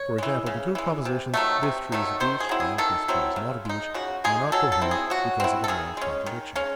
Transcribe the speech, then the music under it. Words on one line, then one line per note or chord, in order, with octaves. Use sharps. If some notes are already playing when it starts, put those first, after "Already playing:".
For example, the two propositions, 'this tree is a beech' and 'this tree is not a beech', are not coherent, because of the law of contradiction.
Already playing: C#5
E3 G#3
C#3
E3 G#3
C3
D#3 F#3 A3
C3
D#3 F#3 A3
D#3 C5
G#4
F#3 C4 E4
G#4
D#3 A4
F#3 C4 E4
C#3
G#3 D#4
C#3 F#4
G#3 D#4 G#4
F#3 A4
A4
C4 E4
G#4
F#3 F#4
C4 E4
A4
D#3 G#4
G#3 C#4
D#3
G#3 C#4